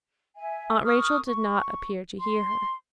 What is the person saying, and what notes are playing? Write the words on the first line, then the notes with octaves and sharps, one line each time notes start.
Aunt Rachel did not appear to hear her.
E5 G#5
A#4 C#6 D#6 F6
C#6
C6